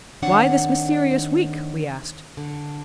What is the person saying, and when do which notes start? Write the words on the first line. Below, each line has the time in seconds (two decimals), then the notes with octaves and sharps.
"Why this mysterious week?" we asked.
0.22 D#2 D#3 C4 D4 C#5 F#5
2.37 D3